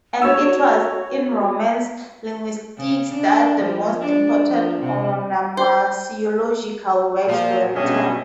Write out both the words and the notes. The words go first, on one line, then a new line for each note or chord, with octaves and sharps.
And it was in Romance linguistics that the most important onomasiological works were written.
F#4 C#5 E6
C#3
D4
F3
D4
F3
C3
C5
A#2 F3
G2 B2 C#4 G#4 D#5 E5